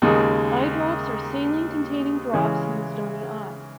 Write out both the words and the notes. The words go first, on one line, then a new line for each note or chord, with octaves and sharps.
Eye drops are saline-containing drops used on the eye.
D#2 C#3 G#3 D#4
C#3 E3 G#3 C#4